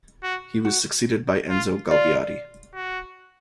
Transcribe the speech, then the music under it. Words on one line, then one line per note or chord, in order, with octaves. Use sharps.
He was succeeded by Enzo Galbiati.
F#4
F#4
F4
F4 D5
F#4